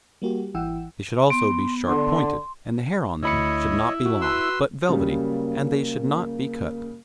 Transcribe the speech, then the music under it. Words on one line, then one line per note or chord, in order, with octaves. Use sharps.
They should also be sharp pointed, and the hair on them should not be long, but velvety, and they should not be cut.
G3 A#3 F#4 G4
G#1 E3 E4 F#5 G5 E6
B3 C6
D3 C6
D2 E4 C#5 D#5 B5 C#7
F#4
B4 C6 E6
C#3 F#3 G3 A#3